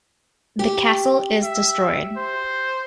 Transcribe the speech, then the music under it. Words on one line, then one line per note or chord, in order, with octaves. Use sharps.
The castle is destroyed.
G4
E5
C5